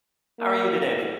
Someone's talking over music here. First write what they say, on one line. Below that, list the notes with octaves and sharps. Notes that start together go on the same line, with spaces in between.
How are you today?
A#3